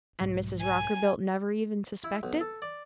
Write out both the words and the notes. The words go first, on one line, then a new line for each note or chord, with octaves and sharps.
"And Mrs. Rockerbilt never even suspected?"
B1 G#2 F#3
G#5
E4
B1
A4
D5